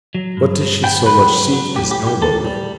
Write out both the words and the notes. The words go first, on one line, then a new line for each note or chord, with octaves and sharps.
What does she so much seek as elbowroom?
F#3
G2
F#3
B3 G5
F#3 B4
F#3
F#3
A2 G4
G4
A2
G4
A2 A4
G3